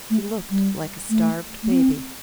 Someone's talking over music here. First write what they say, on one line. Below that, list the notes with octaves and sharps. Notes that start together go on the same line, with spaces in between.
She looked like a starved baby.
A3
G3
A3
A3
C4